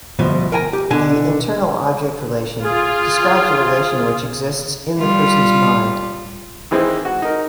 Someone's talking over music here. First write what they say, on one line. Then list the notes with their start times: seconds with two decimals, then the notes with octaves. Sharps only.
The internal object relation describes a relation which exists in the person's mind.
0.19 D2 G2 B2 F3
0.52 A#4 G5 G#5 A#5
0.73 G4
0.90 B2 D3 D4 G#5
2.63 F4 G#4
4.99 G3 F4
6.71 D#3 E3 G#3 C4
7.05 F#4
7.22 D#4 A#4